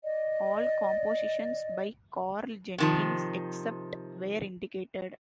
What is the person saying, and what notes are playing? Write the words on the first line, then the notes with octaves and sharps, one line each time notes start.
All compositions by Karl Jenkins except where indicated.
D5 D#5
C3 D#3 F3